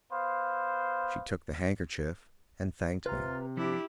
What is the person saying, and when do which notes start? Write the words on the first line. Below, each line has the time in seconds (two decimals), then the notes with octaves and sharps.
She took the handkerchief and thanked me....
0.12 B3 C5 F5
3.06 C3 F4 B4 A#5
3.57 F3 D4 E4 G4